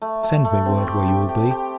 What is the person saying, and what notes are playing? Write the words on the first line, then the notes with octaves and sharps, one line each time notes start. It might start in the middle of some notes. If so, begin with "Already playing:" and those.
Send me word where you will be.
A3
A3
A3
C4
G4
G4
G4
G4